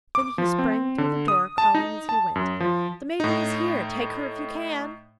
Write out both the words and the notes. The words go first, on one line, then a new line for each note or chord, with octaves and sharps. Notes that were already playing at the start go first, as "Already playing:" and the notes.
Then he sprang through the door, calling, as he went: 'The maiden is here; take her if you can!'
D6
F3
C4
D3
D#6
A5
D#4
A5
F#2
F3
A2 D#4